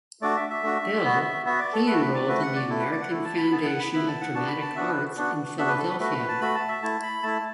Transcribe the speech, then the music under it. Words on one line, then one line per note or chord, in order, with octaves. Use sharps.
Bill, he enrolled in the American Foundation of Dramatic Arts in Philadelphia.
A3 D4 F#4 D5
E5
E5
A3 D4 F#4
B3 F#4
B3 F#4 E5
D5
A4
A3 F#4 B4
B4
D5
A3 F#4 B4
F#5
D5
A3 E4 A4
B4
D5
F#5
A3 E4
A5
B5
B3 E4 A5
F#5
B5
B3 E4 B5
A5
F#5
B3 D4 F#4 A5
B5
A5
B3 D4 F#4 E5
B4
B3 D4 F#4
B3 D4 F#4 E5
B4
A4
B4
A3 F#4 B4
A5
A3 F#4 B5
A5
E5
A3 E4 A5
B5
A3 E4 A5